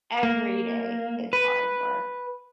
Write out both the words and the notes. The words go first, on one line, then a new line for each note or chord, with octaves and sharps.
every day, it's hard work.
A#3
B4